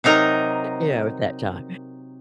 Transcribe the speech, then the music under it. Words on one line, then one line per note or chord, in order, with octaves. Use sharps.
you know, at that time,
C3 F#3 D#4 A#4 A#5